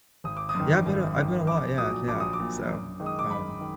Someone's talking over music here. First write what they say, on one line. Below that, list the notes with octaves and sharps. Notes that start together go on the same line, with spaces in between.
Yeah, I've been a I've been a lot Yeah, yeah, so, um
G#1 D#6
D6
D#6
F#2 D#3
G#1
F#2 D#3
A#1 D6
A#2 F#3 D#6
A#1 D6
D#6
D6
A#2 F#3
F#2
D#3 G#3
D#6
D6
F#2 B5
D#3